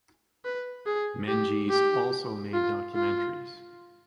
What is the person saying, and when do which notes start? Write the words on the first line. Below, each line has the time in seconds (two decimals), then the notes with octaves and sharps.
Menges also made documentaries.
0.45 B4
0.86 G#4
1.28 G4
1.70 G4
2.53 F4
2.95 F4